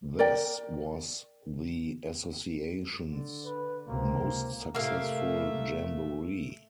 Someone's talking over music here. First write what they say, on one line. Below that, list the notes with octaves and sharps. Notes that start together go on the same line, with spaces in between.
This was the Association's most successful jamboree.
A#4 D5 G5
D3
B4
C#2 C3 A#3
A2 C3 A3 A#3 E5 F5